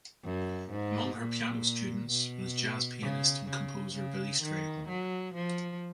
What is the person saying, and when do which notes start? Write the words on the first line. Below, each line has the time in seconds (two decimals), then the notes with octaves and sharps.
Among her piano students was jazz pianist and composer Billy Strayhorn.
0.24 F#2
0.71 G#2
1.17 A#2
2.10 B2
3.02 C#3
3.49 C#3
3.95 C#3
4.42 D#3
4.89 F#3
5.34 F3